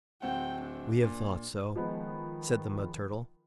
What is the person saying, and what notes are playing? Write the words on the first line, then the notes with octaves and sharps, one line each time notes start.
"We have thought so," said the Mud Turtle.
D1 C4 F#5 G5
D4
A#2
D#3 F3 G#3 B3